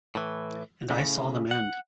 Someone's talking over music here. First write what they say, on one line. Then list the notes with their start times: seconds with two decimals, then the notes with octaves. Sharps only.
And I saw them end.
0.15 A2 E3
0.90 A2 C#3
1.51 F#5